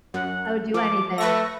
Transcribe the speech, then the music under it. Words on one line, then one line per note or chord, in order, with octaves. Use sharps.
I would do anything,
F#2 F#5
F3 D6
A3 B4 C#6 E6 A#6